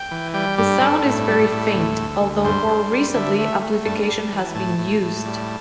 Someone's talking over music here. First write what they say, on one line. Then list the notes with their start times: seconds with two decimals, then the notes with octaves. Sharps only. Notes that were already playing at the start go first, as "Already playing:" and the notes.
The sound is very faint, although more recently amplification has been used.
Already playing: G5
0.11 E3
0.34 G3 G5
0.58 G2 G4
0.81 G2 A4
1.05 A2
1.28 G3
1.51 A2
1.75 D2
1.99 D2
2.21 D2
2.45 G2 C5
2.68 G2
2.92 G3
3.15 D3 E5
3.38 A3 E5
3.62 A3
3.85 G2 A5
4.03 A5
4.09 G3
4.32 E3
4.55 A2 A5
4.78 A2
5.02 A2
5.25 G3